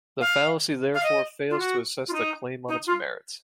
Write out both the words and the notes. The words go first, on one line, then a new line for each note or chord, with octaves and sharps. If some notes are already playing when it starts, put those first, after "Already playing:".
The fallacy therefore fails to assess the claim on its merit.
F5
F5
D#5
F4
F#4
F4
D#4
D#4
F4